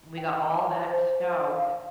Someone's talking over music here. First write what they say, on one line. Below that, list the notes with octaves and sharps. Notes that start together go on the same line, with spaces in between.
We got all that snow
G5
D6
C5
F5